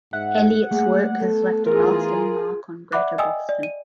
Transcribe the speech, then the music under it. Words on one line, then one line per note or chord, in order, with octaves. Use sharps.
Eliot's work has left a lasting mark on greater Boston.
G#2 E5 F#5
G3 A3 A#3 G#4
A3 B3 A4
E3 F4 G#4 A#4
D5 E5 F#5 B5 D6 F#6
D#5 G5 G#5 D#6 E6
D5
D#7